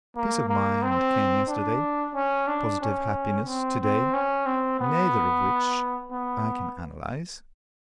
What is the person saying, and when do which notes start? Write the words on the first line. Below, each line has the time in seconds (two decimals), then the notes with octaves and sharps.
Peace of mind came yesterday, positive happiness to-day, neither of which I can analyze.
0.16 A#3
0.49 A#3
0.82 C4
1.48 D4
2.15 C#4
2.47 D4
2.81 C#4
3.47 C4
3.80 C4
4.13 C#4
4.46 C4
4.80 B3
6.12 B3